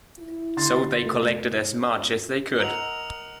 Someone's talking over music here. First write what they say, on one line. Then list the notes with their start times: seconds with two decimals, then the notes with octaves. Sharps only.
So they collected as much as they could.
0.18 E4
0.57 D3 C6 A6
1.01 F1 A3
2.60 A#4 D#5 F#5 E6 F7 F#7